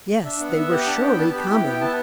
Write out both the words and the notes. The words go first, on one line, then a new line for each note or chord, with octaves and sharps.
Yes, they were surely coming!
D4 E5
B3 F#5
B3 E5
G4 F#5
D4 A5
B3 G5
B5
B3 A5
G4 B5
E4 G5
B3 G5
B3 A5